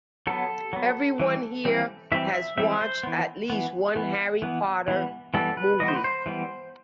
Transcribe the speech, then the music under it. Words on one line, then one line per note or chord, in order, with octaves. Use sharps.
Everyone here has watched at least one harry potter movie.
F#3 B3 A4
F#3 B3
E3 G3 C4
E3 G3 C4
E3 G3 C4 E5
E5
E3 G3 C4 E5
C5
E3 B3
E3 B3
E3 B3
E3 B3
E3 G3 B3
E3 G3 B3 A4
B4
E3 G3 B3 D#5
C5
B4
C5
E3 G3 B3